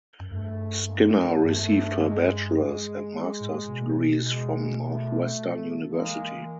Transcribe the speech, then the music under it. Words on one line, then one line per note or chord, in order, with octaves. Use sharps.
Skinner received her Bachelor's and master's degrees from Northwestern University.
F#2
G2 A3
G#3 A#3
G2 A3
G#3
G#3
A2
B2
G#3
A3
E3 G#3 A#3